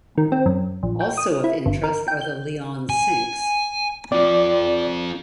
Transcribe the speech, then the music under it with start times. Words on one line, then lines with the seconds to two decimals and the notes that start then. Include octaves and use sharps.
Also of interest are the Leon Sinks.
0.18 D#3
0.32 C4
0.46 F#2
0.83 A#1
1.00 G5
1.17 D#6
1.44 E4
1.66 G1
1.84 A#4
2.08 G5
2.21 G6
2.90 G#5
4.12 C4 F4 D5